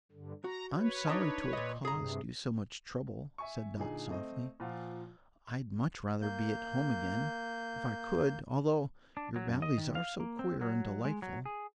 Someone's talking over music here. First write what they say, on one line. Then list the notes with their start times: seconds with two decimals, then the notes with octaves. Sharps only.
"I'm sorry to have caused you so much trouble," said Dot, softly. "I'd much rather be at home again, if I could, although your Valleys are so queer and delightful."
0.12 G2 D3
0.44 F#4 A#5
0.76 B4 C#5
1.07 D4 D#4 A5
1.53 A#2 D#5
1.85 G2 C3 G#4 A#5
3.38 E5 G#5 C#6
3.77 A#2 D3 D#4 G#4
4.09 A3 C4 D#5
4.60 A#2 F3 F4 F#5
6.22 A#3 G6
9.17 D4
9.36 F#3
9.48 F#2
9.62 D#5
9.78 D#3
9.95 F5
10.20 A#3
10.39 C4
10.61 F#3
11.05 G#3
11.22 F#3
11.46 G#4